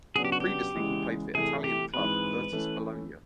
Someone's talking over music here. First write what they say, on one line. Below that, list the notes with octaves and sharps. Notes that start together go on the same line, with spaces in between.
Previously he played for Italian club Virtus Bologna.
C#3 F#3 B3 D4 G#4
G4
F#4
G4
E2 C#3 E3 G#3
C2 C3 E3 A3 G#4
G4
G#2 E3 G#3 C4 B4
E3 A3 C#4